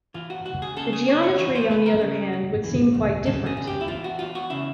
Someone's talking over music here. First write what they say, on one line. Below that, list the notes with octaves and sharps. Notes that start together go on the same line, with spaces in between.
The geometry, on the other hand, would seem quite different.
E3 F4
F#4
C#2 F#4
G#4
C#3 A4
G#4
C#2 C#5
C#5
E3 C#5
C5
C#2 B4
A#4
C#3
C#2
E3
E2
C#3 A4
G#4
E2
G4
E4
E3 F4
F#4
E2 F4
F#4
C#3 E4